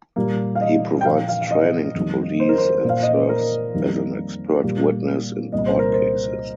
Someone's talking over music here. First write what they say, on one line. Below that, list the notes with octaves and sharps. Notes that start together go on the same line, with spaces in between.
He provides training to police and serves as an expert witness in court cases.
A#2 G3 A#3
F5
D#5
G5
A#2 F3 A#3 F5
F5
F5
D#5
F2 D#3 G3 A#3
C5
A#4
C5
A#2 A#3 F5
D#5
C5
A#4
F2 D#3 G3 A#3
A#2 G3 A#3
C2 A#2 A#3 D#5
C5
A#4
C5